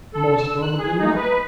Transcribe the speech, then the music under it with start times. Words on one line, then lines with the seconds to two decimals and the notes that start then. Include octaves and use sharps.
Most probably not.
0.14 A4
0.39 E6
0.62 F#6
0.79 G#4
0.99 D#4
1.16 B4